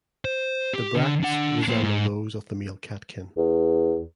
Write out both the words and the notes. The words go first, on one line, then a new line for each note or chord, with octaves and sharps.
The bracts resemble those of the male catkin.
C5
G4
D3
D4 F#5
A#3 C5
G#2
E2